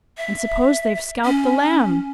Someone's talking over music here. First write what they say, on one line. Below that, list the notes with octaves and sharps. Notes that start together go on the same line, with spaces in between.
And suppose they scalped the Lamb!'
E5
C#4